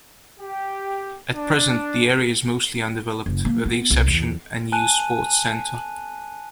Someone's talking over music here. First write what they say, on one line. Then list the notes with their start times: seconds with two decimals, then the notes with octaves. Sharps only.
At present the area is mostly undeveloped, with the exception a new Sports Centre.
0.38 G4
1.33 D4
3.26 F#1
3.45 A#3
3.66 B3
3.90 C2
4.08 E2
4.72 G#5 A5 F#6 D#7